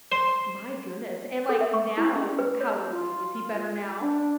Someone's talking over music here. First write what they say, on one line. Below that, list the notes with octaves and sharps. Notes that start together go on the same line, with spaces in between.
my goodness, and, like, now, how is he? Is he better now
C5
A4
E5
C#6
E4
C#4
B4
C#5
F4
D4